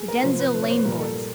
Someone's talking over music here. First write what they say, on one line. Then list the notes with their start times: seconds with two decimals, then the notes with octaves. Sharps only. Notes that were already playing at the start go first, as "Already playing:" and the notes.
The Denzille lane boys.
Already playing: G#4
0.08 A#4
0.23 C3 F3 C5
0.39 B4
0.55 B4
0.62 C#5
0.70 C5
0.78 B4
0.85 A#2 G3 A#4
0.99 A4
1.15 A#4